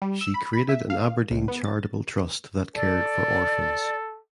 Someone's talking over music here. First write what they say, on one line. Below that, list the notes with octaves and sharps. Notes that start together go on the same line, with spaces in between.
She created an Aberdeen charitable trust that cared for orphans.
G3
E6
B5
B5
E5
F5
C#2
B3
A6
A4 D5